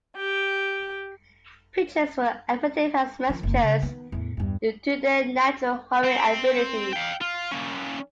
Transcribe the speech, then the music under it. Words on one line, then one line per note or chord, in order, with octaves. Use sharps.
Pigeons were effective as messengers due to their natural homing abilities.
G4
D#3 F3
F#1 A#3
C#3
D#3 B3
E2 A2
E2 G2
C4
F5 G5
F4
A#3 C#4